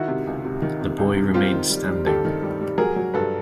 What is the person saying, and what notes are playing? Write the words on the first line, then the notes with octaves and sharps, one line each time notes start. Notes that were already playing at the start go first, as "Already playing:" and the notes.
The boy remains standing.
Already playing: D#3 E4 F#4
C3
C#2
C3
D#3
C3
C#2
C3
C4 F4 G4
D#3
G3
G3
G2 G4 A4
D#3
G3
G3
F#3 G#4 A#4
F#3
G2 A4 B4